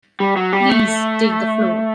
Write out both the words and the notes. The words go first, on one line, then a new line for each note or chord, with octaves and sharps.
Please, take the floor.
G3
F#3
G3
A3